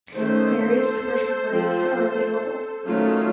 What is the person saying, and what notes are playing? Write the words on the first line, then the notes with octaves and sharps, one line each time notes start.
Various commercial grades are available.
D#3 A3 C#4 A4 C5
F3 C4 F4
D#3 F#3 A3 C#4 F4 A4